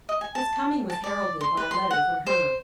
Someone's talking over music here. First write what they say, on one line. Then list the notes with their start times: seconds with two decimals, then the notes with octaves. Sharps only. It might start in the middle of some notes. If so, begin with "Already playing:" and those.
His coming was heralded by a letter from her.
0.09 D#5
0.21 G#5
0.35 A5
0.90 A5
1.04 D5
1.41 C6
1.57 B4
1.71 C6
1.91 F#5
2.26 C5